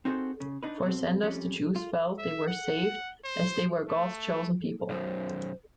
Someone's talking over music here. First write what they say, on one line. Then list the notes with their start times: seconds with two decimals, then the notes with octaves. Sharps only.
For Sanders, the Jews felt they were saved as they were God's chosen people.
0.05 C4 D#4 F#4 G#4 A4 C5
0.40 C#3
0.63 D4 D#4 B4
0.83 B2 C4
1.22 F2 G3 C#4
1.76 F4
2.18 E5
2.48 F#5
3.24 C5
3.88 A3
4.90 B1 F#2 C5